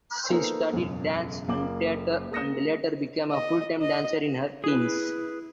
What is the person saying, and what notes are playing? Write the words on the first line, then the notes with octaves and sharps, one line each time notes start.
She studied dance and theater and later became a full-time dancer in her teens.
A#3 B3 D#4 A4 A#4 C5
E1 F#2 C#3
F#1 A#3 F4 D6 F#7
G#3 A#3 D#6 A#6 C#7 E7
D#5
D#5
E4 G#4 B4